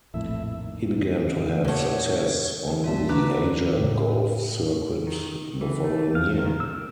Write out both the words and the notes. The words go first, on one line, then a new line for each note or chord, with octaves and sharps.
He began to have success on the Asia Golf Circuit the following year.
A#1 F2 A2 A3 E4 E5
D#2
A#2 A3 G4 C#5 F#5
C2 G2 A#2 F4 E5 A5
D3 B3 E4 F#4 A#5 D6 F#6 B6
A2
D#3
E3
A3
F5
D#3
E6
A#4